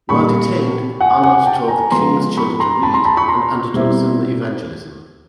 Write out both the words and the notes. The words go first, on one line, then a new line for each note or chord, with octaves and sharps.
While detained, Arnot taught the king's children to read and undertook some evangelism.
A#2 G3 A#3 B5 C#6
F#5 G#5
F#5 G#5
G5 A5
G#5 A#5
F3 G#3 B3 A#5 C6
B5 C#6
A#5 C6
A5 B5
A#5 C6
A5 B5
B5 C#6
A#5 C6
B2 G3 C4 E4